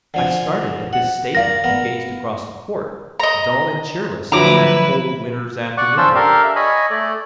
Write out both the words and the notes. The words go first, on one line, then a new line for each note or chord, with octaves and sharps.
I started at this statement, and gazed across the court--dull and cheerless on that cold winter's afternoon.
D3 F3 G#5
F#5
A#4 D5 F5 A#6
B3 A#4
D#5 A#5
D3 F3 F#3 E4 B4 A#5 D6
D5 F#5 C#6
C#4 D4 F4 A4 C5 E6
D4 G4 A4 A#4 F5
E5
C#5 D#5 G#5 B5
A3 A4 D5